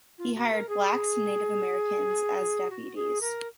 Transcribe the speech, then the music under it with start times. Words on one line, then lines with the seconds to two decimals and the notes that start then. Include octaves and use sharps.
He hired blacks and Native Americans as deputies.
0.18 F4
0.34 F#4
0.52 A#4
0.69 G#4
2.70 F#4
2.95 G#4
3.21 A#4